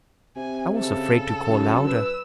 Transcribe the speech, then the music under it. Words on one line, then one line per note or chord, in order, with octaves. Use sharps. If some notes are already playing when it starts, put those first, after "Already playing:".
I was afraid to call louder.
C3 G#5
C#3 A4
F#2
B4 E6